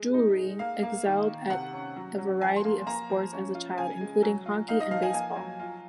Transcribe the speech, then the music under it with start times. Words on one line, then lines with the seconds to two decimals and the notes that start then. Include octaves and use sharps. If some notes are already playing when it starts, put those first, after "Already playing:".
Drury excelled at a variety of sports as a child, including hockey and baseball.
Already playing: G#3
0.14 D#4
0.38 G#3
0.59 A#3 F5
0.83 A#3
1.05 D#3
1.28 D#3
1.50 C3 F#5
1.73 C#4
1.96 F#3
2.18 F#3
2.41 F3 G#5
2.56 C6
2.65 A#3
2.86 A#3 A#5
3.09 F3
3.33 C#4
3.55 F4
3.77 C#3 G#5
4.01 G#3
4.23 F#3
4.46 F4
4.68 D#4 F5
4.80 D#5
4.91 F3 F5
5.02 G#5
5.14 A#3 G#5
5.36 F#3
5.59 F4